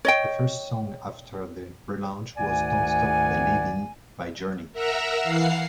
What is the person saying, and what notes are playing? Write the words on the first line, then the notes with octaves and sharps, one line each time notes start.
The first song after the relaunch was "Don't Stop Believin'" by Journey.
C#5 D#5 G5
D2 G#2 D#3 D5 F#5 G#5
A#4 E5 F#5 A#5 E6
E3 F5 F#5 C7